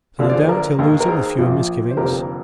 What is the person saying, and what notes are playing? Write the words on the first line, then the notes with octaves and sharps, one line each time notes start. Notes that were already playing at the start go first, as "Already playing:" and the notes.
So no doubt he'll lose it with fewer misgivings.
D#2 D3 F3 D4
D5
G#4 C5
A#4 D5
D#2 D#3
A#4
G#4 C5
A#1 A#2 F3
C5
F1 D#2 D3 F3 G4 A#4